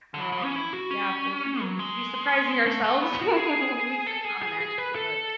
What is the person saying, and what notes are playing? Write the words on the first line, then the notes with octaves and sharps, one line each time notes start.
Um, yeah, we'll be m be surprising ourselves when we sit down and actually look.
D3
E3
E3
C#4
E4
F#4
C#4
F#3
G#3
A3
A3
B3
F#4
G#4
A4
G#4
G#4
G#4
B4
A4